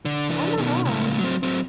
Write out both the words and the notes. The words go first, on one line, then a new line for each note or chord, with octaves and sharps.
Oh my god.
D3
E3 D4
B2 D#3
C#2 A2
F#3 C4
F#3 C4